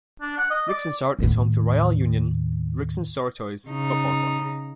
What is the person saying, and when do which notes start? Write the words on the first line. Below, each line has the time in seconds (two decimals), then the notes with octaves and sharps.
Rixensart is home to Royale Union Rixensartoise football club.
0.21 D4
0.38 F#5
0.51 D#5
0.69 D5
1.19 D#2 A2
3.67 C#3 D#4